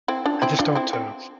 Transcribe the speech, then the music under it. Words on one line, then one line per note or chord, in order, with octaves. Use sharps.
I just don't, uh
C4 E4
D4 F4
C4 E4
D4 F4
C4 E4
C4